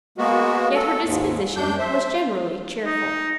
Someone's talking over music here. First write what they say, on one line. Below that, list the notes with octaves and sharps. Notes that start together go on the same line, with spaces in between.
Yet her disposition was generally cheerful.
G#3 A#3 B3 F#4
A4
D#2 G#2
F#2 D4 G6
C5 E5
D#4